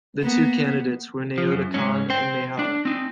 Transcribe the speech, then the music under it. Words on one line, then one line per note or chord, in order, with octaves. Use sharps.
The two candidates were Naoto Kan and Maehara.
A#3 B3
F3
F#2
G#2 C#4
C5 G5
D4
C4 D#4